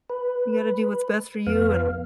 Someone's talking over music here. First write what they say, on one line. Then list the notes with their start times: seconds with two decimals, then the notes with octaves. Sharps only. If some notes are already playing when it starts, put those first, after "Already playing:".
you gotta do what’s best for you and
0.10 B4
1.47 F2 B3 F5